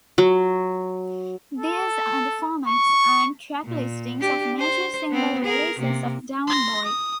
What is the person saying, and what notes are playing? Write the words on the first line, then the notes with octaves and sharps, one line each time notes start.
These are the formats and track listings of major single releases of "Down Boy".
F#3
A4
C#6
A#2
D4 G4
C5
B3 C4
G#4 A#4
C3 A#3
C6 A#6
D#6